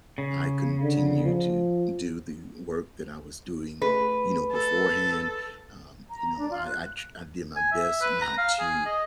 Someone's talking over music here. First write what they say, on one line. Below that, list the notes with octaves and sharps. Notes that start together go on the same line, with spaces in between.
I continue to do the work that I was doing, you know, beforehand, um, you know, I I tr I did my best not to,
C#3
D3
F3
A3 G#4 B4
A4
A#5
D4
F4
F#6
G#5
E5
B4
A#5
F5
G#4
D#5